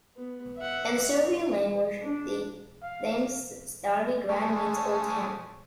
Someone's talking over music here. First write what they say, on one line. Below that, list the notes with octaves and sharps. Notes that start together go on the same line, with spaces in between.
In the Serbian language, the name "Stari Grad" means "Old Town".
B3
E5 F#5
C#5
D4
F5
G#3 A3 C#4